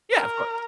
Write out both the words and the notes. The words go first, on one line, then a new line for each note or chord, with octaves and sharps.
Yeah, of course.
A#4